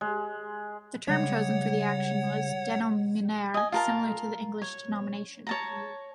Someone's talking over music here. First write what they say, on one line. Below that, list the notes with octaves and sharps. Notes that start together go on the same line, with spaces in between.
The term chosen for the action was "denominare", similar to the English "denomination".
G#3
C#3 G3 G#3 C#5 F#5
D#5 G#5
F4 A#4 A5
C#5
C#5 A5 A#5